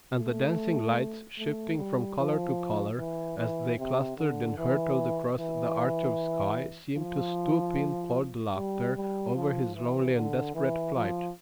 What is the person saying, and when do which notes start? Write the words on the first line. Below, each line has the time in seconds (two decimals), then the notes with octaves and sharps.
And the dancing lights, shifting from color to color as they clustered and hurtled across the arch of sky, seemed to stoop in cold laughter over his lonely and desperate flight.
0.19 A3
1.38 A3
1.79 G3
2.18 F3
2.97 E3
3.37 E3
3.77 C3
4.17 D3
4.57 E3
5.37 E3
6.96 F3
8.55 G3
8.95 G3
9.35 F3
9.75 E3
10.15 D3
10.55 E3
10.95 F3